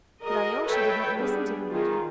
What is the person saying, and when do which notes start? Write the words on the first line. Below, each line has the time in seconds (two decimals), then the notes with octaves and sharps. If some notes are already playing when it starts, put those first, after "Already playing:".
But Alyosha did not listen to the reading.
0.22 F#4 G#4 A#4 D#5
0.66 A4 B4 C#5 E5 G5 A5
1.16 G3 B3 D4 G#4
1.71 D#3 F4 G#4